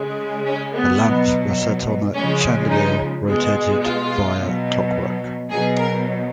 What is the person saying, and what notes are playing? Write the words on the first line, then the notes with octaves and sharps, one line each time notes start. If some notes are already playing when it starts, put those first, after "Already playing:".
The lamps were set on a chandelier rotated via clockwork.
Already playing: C#3 G#3
C#4
B3
B2 F#3
C#3 F3 G#3 C#4
D#4
B2 G#3
F4
B2 F#3
B2 F#3 G#4
A#4